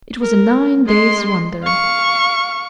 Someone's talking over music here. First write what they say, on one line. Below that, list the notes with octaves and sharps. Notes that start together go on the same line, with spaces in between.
It was a nine days' wonder.
A#4
G#3 C6
F5 C#6